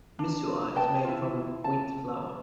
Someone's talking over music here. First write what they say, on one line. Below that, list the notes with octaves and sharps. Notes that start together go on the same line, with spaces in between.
Misua is made from wheat flour.
D4
B4 D#5 G5 A5
E4 F4
A5